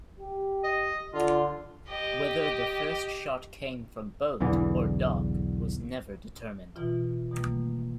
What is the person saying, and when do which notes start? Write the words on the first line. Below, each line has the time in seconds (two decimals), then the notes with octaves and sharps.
Whether the first shot came from boat or dock was never determined.
0.19 G4
0.64 D#5
1.14 D3 F4
1.88 G4 D#5
4.40 B1 E2 D3 E3
6.75 B2 E3 F4 E5
7.31 B2 D#3 E3 G3 A3 A#3